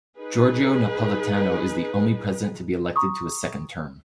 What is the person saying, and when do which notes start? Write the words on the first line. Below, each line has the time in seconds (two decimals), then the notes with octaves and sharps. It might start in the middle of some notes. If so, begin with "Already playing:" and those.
Giorgio Napolitano is the only president to be elected to a second term.
0.18 D#4 G#4 B4
2.96 A#5 C6 C#6 D#6